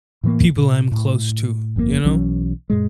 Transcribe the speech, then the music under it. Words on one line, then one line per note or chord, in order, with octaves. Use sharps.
people I'm close to, you know?
A2 E3 F3 A#3
A#2
A2
G1 F2 C#3 A#3
B1 E3 F#3 C#4
F#2 A#2 G#3